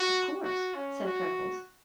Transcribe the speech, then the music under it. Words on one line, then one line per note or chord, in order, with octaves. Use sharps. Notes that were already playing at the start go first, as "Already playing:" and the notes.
"Of course!" said Freckles.
Already playing: F#4
F#4
C#4
F#4